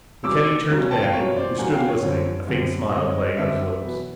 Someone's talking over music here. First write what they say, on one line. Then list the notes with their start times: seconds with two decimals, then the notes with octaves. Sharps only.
McKenny turned to Manning who stood listening, a faint smile playing on his lips.
0.24 E2 B2 G3 A#3 C#4 D6 E6
0.69 E2 B2 G3 A#3 C#4
0.91 G5 A5
1.02 F5 G5
1.13 E2 B2 G3 A#3 C#4 C#5
1.36 C5 D5
1.58 E2 B2 G3 A#3 C#4 F#5 G#5
1.73 F5 G5
1.88 C#5
2.03 F#2 D3 G3 C4
2.47 F#2 D3 G3 C4
2.92 F#2 D3 G3 C4 C#5 D#5
3.37 F#2 D3 G3 C4 D5 E5
3.81 E2 B2 F#3 B3